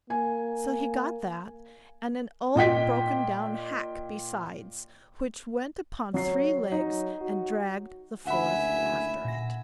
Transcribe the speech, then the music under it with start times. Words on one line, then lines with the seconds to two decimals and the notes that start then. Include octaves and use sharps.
So he got that, and an old broken-down hack besides, which went upon three legs and dragged the fourth after it.
0.10 A#3 G#5
2.56 A#2 D#5 G5 B6
6.14 F#3 C#5 C7
6.72 F#3 D#4
7.21 F#4
8.26 F#1 D2 E5 F#5 G#5 B5
9.25 A#2 A#6